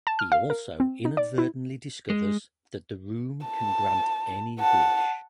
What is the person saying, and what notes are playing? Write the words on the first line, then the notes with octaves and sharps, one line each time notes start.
He also inadvertently discovers that the Room can grant any wish.
A5
F6
F5
A#4
C4
D#4
D5
E4
G#3
A5
F#5 A5